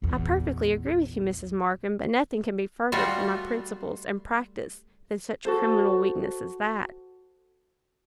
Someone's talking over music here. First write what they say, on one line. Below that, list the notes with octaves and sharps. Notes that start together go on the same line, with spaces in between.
'I perfectly agree with you, Mrs. Markham; but nothing can be further from my principles and practice than such criminal weakness as that.'
A#1 E2
G3 A3 F4 F#4
F#4 A4 C5